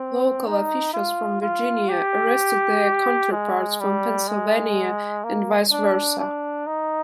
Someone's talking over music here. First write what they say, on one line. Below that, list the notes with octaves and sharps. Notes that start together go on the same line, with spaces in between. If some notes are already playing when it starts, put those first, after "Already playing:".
Local officials from Virginia arrested their counterparts from Pennsylvania and vice versa.
Already playing: C4
D#4
F4
F4
G4
G#3
G3
G#3
A#3
D4
D4
D#4